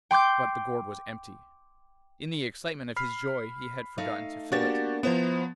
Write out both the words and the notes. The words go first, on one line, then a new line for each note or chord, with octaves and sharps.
But the gourd was empty; in the excitement of his joy he had forgotten to fill it.
G5 C6 D6 G6
B5 F6 C7
A3 D#4 F5
A#3 B3 D4 F#4 G4 A6
F3 B3 E4 C5 A#5